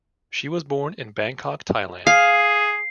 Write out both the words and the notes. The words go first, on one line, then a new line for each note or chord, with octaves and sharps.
She was born in Bangkok, Thailand.
G#4 F5 C7